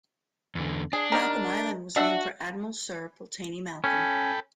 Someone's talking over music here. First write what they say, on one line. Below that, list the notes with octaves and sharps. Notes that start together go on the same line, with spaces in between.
Malcolm Island was named for Admiral Sir Pulteney Malcolm.
E2 D3
D4 G#4
D#3 G3 A#4
D4 F#4 E5 F#5
C#4 A4 G5 B5